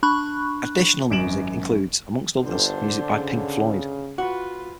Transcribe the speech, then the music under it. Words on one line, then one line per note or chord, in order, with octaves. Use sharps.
Additional music includes, amongst others, music by Pink Floyd.
D4 B5 C#6 F#6
G#1 F#2 D7 E7 F#7
G1 D3 D4 C5
C#3
F4 F#4 B4